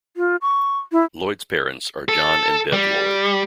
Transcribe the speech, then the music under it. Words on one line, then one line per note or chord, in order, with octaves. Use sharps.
Lloyd's parents are John and Bev Lloyd.
F4
C#6
E4
A4
G3